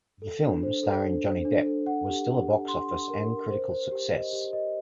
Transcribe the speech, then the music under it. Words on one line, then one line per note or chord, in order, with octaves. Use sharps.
The film, starring Johnny Depp, was still a box office and critical success.
A4
D4
C5
A4
D4
C5
D4
A4
F#5
G4
G4
G4
C6
C6
A#4
A#4
C5
C5
G4
D#5
G4
D#5